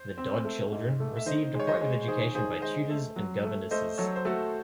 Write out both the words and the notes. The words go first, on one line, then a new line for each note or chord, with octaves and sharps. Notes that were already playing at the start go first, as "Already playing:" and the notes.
The Dod children received a private education by tutors and governesses.
Already playing: C5
C4
A3
G#2
A3
E5
D#3 C5 D#5
G#3
C#5
C5 D#5
G#3
D#3 G#4 C5
D#3 G#4 C5
G#3 C5 D#5
A3
F#3
A3
A3 C5 D#5
F#3 A4 C#5
C5
A3 F#4 A4